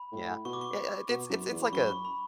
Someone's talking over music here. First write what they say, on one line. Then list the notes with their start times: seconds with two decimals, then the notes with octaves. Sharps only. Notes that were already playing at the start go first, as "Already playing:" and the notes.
Yeah. Ye uh, it's it's it's like a,
Already playing: B5
0.12 A2
0.45 B2 C#6
0.53 D6
0.61 C#6
1.09 B2
1.30 F#2
1.51 E2
1.65 B5
1.72 F#2 C#6
1.88 C#6
2.05 B5